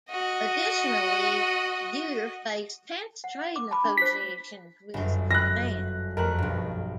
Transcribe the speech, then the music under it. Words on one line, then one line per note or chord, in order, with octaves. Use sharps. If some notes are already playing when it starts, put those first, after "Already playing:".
Additionally, Yeutter faced tense trade negotiations with Japan.
F#4 D#5
F#5
D6
A5 B5 D6
D4 B5 D6
F4 C5 B6
G1 F#2
F#6 A#6
F2 A3 A#4 F#6
B1 G2